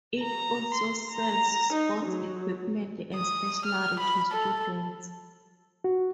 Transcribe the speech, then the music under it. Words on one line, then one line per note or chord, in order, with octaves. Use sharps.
It also sells sports equipment and stationery to students.
A#5
C6
A#5
D#4
F#3
D#6
F6
B5
A4
F#4